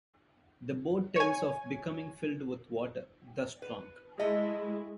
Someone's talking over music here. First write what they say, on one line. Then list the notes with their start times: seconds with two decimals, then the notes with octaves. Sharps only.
The boat tells of becoming filled with water, thus drunk.
1.16 C#5 G#5
3.62 B4
4.19 G#3 A3 E4 D#5 E5